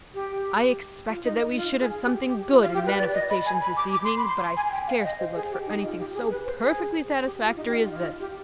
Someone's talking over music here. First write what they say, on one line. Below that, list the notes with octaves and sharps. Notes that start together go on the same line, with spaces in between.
I expected that we should have something good in manifestations this evening, but I scarcely looked for anything so perfectly satisfactory as this.
G4
F4
D#4
D#4
F4
G#4
G4
G4
F4
F4
G4
B4
D5
D#5
B5
G#5
B5
D6
D6
C6
B5
C6
G#5
G#5
G5
F5
D#5
C5
G#4
G4
D#4
F4
G4
G#4
B4
C5
G#4
G4
F4
D#4
G4
F4
D#4
F4
G4